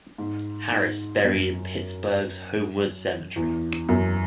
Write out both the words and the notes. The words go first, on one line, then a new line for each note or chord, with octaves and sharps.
Harris is buried in Pittsburgh's Homewood Cemetery.
G#2
G#2
F#2
E2
F#2